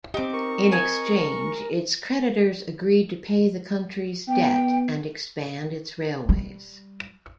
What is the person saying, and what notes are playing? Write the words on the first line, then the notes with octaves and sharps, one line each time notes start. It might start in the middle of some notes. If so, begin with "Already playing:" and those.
In exchange, its creditors agreed to pay the country's debt and expand its railways.
C4 D#4 G4 D6
A#4 C#6
D#5 G#5
B3 G5
G3